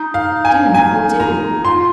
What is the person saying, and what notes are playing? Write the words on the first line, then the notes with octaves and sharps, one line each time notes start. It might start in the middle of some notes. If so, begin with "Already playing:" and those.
Do now, do.'
Already playing: D#4
F5
G#5
G#5
A#5
F4 C6